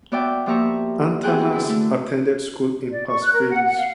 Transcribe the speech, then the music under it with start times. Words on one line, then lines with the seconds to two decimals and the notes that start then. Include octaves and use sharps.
Antanas attended school in Pasvalys.
0.12 B3 F#4 D5 E5 G5
0.46 F3 A#3 G4 E5 A#5 C#6
1.23 B3 C4 F#4 G#4 G5 F#6
1.52 D3 E4
1.69 D3 A3
2.90 D5
3.06 C#6
3.22 F#6
3.34 A#4
3.51 F#5
3.64 F#5
3.78 F5